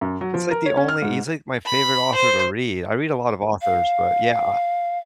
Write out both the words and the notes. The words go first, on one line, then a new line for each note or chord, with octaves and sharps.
It's, like, the only he's, like, my favorite author to read. I read a lot of authors, but, yeah, I
F#2
F#3
F3
A#4
C#5
C#4
F6
G#2
B5
C5
F5